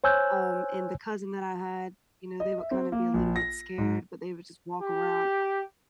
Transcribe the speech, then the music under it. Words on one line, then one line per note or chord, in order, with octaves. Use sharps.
um, and the cousin that I had, you know, they would kinda be a little bit scared, but they would just walk around.
C5 C#5 G#5 E6 F#6 G6
D#5
E5
C4
A#3
A#1
A#6
G#2
G4